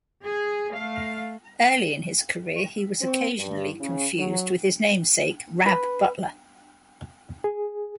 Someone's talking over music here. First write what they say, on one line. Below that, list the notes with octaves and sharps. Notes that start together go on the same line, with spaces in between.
Early in his career, he was occasionally confused with his namesake Rab Butler.
G#4
A3 F5
C4
G2
C#3
F#3
B4
G#4